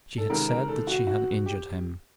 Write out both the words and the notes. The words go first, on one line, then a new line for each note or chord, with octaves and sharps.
She had said that she had injured him.
A4
C#2 C3 D#3 A#4
A#4
A4
F#4
F#4
G4